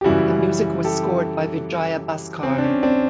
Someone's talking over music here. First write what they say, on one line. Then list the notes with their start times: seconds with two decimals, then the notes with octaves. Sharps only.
The music was scored by Vijaya Bhaskar.
0.01 G4
0.04 F#2 C#3 E3 G3 E4 F#4
0.84 G4 A4
2.43 C4
2.58 D4
2.64 C#4
2.83 C4 D4